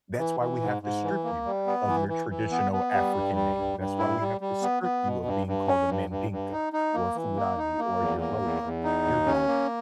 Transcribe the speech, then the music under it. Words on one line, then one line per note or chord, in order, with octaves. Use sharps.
that's why we have to strip you of your traditional African name. That's why we have to strip you of being called a Mandinka or Fulani or Yoruba. You're Black.
E3
E3
G#2
G#2
E3
A#3
G3
B3
E3
E3
E3
B3
B3
G3
G2
G3
G2
G2
E4
G3
G3
B3
B3
B2
G2
G2
C#4
G2
G2
G2
D#4
D#4
A#3
E3
A#3
D#4
A#3
E2
A#3
E2
E2
D#4
D#2
C#4
A#3